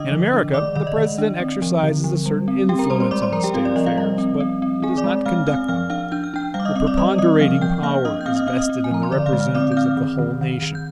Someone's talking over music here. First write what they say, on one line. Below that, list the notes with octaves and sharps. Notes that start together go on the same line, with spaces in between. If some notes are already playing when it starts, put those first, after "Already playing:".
In America the President exercises a certain influence on State affairs, but he does not conduct them; the preponderating power is vested in the representatives of the whole nation.
Already playing: D3 D4 D#5 D6 D#6
F3
D4
D#3 D5 D6
D#3 D5
D#5
D#3
D4
C4
F3
D3
F3
G3
C4
C4 G4 G5
A#4 A#5
G3 C5 C6
C5 C6
G#3 D5 D6
C5 C6
F3 A#4 A#5
G4 G5
C4 F4 F5
D5
F3 D#5
F4 F5
G3 D#5
C4
C4
C4
C4 G#4 G#5
D5 D6
G#3
G#3 F5 F6
C4 F5 F6
F3 F5 F6
D4 F5 F6
D4 G6
F6
D4 G5 G6
G3 F5 F6
D6
D#5 D#6
C4 D#5 D#6
D5 D6
G3 D#5 D#6
C4 D#5 D#6
F3 F5 F6
F3 G5 G6
A#3 F5 F6
D4 D#5 D#6
G6
C4 F5 F6
D#5 D#6
C4 F5 F6
D#5 D#6
C4
G#5
F3 A#5
C6
D3 D5 D6
F5 F6
G#3
F5 F6
C4 D5 D6
G6
C4 F5 F6
D#3
D#3
D#3
D#3
G6